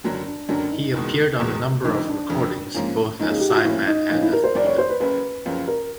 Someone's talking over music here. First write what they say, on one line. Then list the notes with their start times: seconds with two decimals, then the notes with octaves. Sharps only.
He appeared on a number of recordings, both as side-man and as leader.
0.04 F#1 F#2 D3 F#3 D4
0.26 D4
0.49 F#1 F#2 D3 F#3 D4
0.71 D#4
0.94 F#1 E2 B2 G#3
1.39 F#1 E2 B2 G#3
1.84 F1 F2 D3 D#4
2.07 D4
2.30 F1 F2 D3
2.75 G#2 F3 A#3 C#4
3.20 G#2 F3 A#3 C#4 D#4
3.30 G#4
3.40 G4
3.48 F#4
3.57 F4
3.64 A2 F3 A#3 C#4 E4
3.87 D#4
4.10 A2 F3 A#3 C#4 D#4
4.21 E4
4.33 A#4
4.44 C5
4.55 F#1 F#2 C#3 D5
4.66 C#5
4.78 C5
4.89 B4
5.00 F#1 F#2 C#3 B4
5.45 F#1 F#2 C#3 F3
5.68 A#4